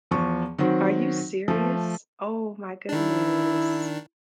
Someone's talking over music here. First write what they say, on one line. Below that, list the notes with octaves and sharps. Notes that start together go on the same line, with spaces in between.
Are you serious? Oh, my goodness.
E2 F3 C#6
D#3 F#3 C4 F#4
F3 A3
D#3 D4 E4